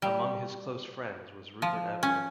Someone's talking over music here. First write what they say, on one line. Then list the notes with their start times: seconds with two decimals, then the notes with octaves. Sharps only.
Among his close friends was Rupert Everett.
0.02 G3
1.62 F3
2.03 C#4